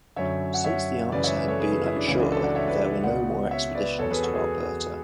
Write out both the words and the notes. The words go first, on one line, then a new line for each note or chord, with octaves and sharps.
Since the answer had been unsure, there were no more expeditions to Alberta.
F#2 D3 C#5 E5
F#5
C#5 E5
F#2 C#3 E3 B4 D5
C#5 E5
B4 D5
A4 C#5
G#4 B4
G#4 B4
C#4 E4
D4
C#2 C#3 E3 C#4 E4
D4 F#4
F#4 A4
D5 F#5
C#5 E5
B4 D5
B4 D5
C#2 B2 D5 F#5
C#5 E5
B4 D5
E2 B2 A4 C#5
G#4 B4
F#4 A4
G#4 B4